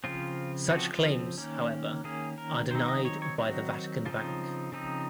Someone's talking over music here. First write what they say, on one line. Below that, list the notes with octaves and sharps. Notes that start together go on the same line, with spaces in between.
Such claims, however, are denied by the Vatican Bank.
C#3 F3 C4 F4
C#3 F3 C4 F#4
F4
D#3 A#3 C#4
D#3 A#3 C#4 G#4
A#4
D#3 F#3 C4 D#4 C5
D#5
C#5
C#5
D#3 F#3 C4 D#4 F#4
C#3 F3 C4 D#4 F4
C#3 F3 C4 D#4